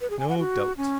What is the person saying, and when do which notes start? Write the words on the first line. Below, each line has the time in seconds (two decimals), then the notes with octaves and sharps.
No doubt.
0.01 B4
0.10 G#4
0.19 G#5
0.29 F#5
0.39 F#4
0.77 C#4